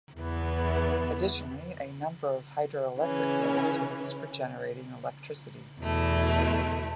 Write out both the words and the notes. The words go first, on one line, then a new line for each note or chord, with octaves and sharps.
Additionally, a number of hydroelectric dams are used for generating electricity.
E2 E3 B3
C#3 E3 C#4
E2 B2 A3 E4